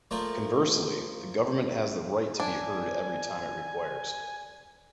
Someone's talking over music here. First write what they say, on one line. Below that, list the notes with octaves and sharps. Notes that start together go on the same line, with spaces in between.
Conversely, the Government has the right to be heard every time it requires.
F3 A3 A#3 A#4 D5
D4 G#5